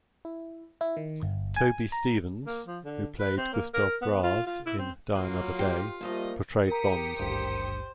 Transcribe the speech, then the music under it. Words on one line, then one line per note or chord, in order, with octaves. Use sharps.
Toby Stephens, who played Gustav Graves in "Die Another Day", portrayed Bond.
E4
E4
D#3
G1
G#5
A#5
A#3
F3
D3
B4
C4
A#3
A#4
B3
F4
F4
E4
C4
F#3 A#3 F4 B4
G4 C5
F3 G3 A3 A#3 D#5
G4 A#4 A#5 D#6 C#7
G#1 D2 G2 C5